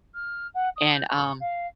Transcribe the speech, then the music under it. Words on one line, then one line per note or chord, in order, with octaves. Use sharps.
and, um,
F6
F#5
D#6
G6
C#6
F5